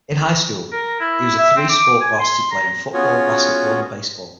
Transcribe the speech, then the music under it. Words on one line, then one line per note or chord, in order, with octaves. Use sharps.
In high school, he was a three-sport varsity player in football, basketball, and baseball.
A#4
E4
E5
C4
D6
G#5
C6
A#5
B3 C#4 F4 F#4 G#4 C#5